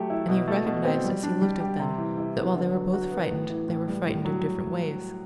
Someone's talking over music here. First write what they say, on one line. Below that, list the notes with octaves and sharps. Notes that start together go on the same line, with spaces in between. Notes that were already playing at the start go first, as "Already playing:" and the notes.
And he recognized as he looked at them that, while they were both frightened, they were frightened in different ways.
Already playing: F#3 A3 G4
E4
B2
A3
B2
C4
G3
D4
G3
G4
C3
E3
E4
B3
D3
F#3
F#4
B3
A2
E3
A2
G3
A2
F#3